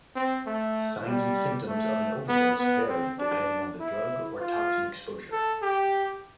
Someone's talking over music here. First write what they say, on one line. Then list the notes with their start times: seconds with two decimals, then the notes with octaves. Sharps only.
Signs and symptoms of an overdose vary depending on the drug or toxin exposure.
0.16 C4
0.47 A3
1.08 G3
1.68 A3
2.28 B3
2.59 B3
2.89 C4
3.19 D4
3.80 E4
4.40 F4
5.32 A4
5.62 G4